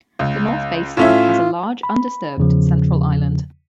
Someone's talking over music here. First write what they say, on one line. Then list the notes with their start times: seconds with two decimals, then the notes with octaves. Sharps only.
The North Basin has a large, undisturbed, central island.
0.19 C#2
0.97 A2 C#4 F4 E5
1.83 B5
2.38 E2 C#3 F3